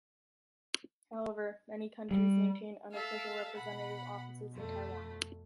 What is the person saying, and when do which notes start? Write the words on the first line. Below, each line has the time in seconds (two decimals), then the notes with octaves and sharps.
However, many countries maintain unofficial representative offices in Taiwan.
2.11 G3
2.92 A4 E5 F5
3.56 B2 F#5 B5
4.52 F2 A3